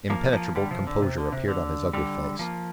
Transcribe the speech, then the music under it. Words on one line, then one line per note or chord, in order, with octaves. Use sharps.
Impenetrable composure appeared on his ugly face.
F3 A#3
F3 A#3
D3 G3
C3 F3
D3
C3
D3
C3
D3
D3 G3
F3 A#3